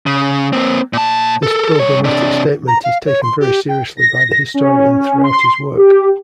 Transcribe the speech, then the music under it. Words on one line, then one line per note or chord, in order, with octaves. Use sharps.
This programmatic statement is taken very seriously by the historian throughout his work.
C#3
A#3 C4
A#2 A5
A4 A#4
G2 C#5
C3 D4
A#5
F5
C#5
C6
G4
G5
A#6
C#4
C6
G4